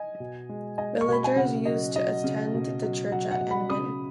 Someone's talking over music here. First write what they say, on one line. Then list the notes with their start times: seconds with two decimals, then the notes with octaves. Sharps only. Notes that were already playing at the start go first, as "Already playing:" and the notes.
Villagers used to attend the church at Endon.
Already playing: D#5 G#5
0.20 B2
0.49 G#3
0.78 G#3 D#5 G#5
1.01 C#6
1.08 B2 B5
1.24 G#5
1.36 C#3 F#5
1.65 F#3 D#5
1.96 F#3 D#5
2.24 C#3
2.54 B2
2.83 F#3
3.12 F#3 F#5
3.31 F#5
3.41 B2
3.51 F#5 B5
3.70 C#3 B5 D#6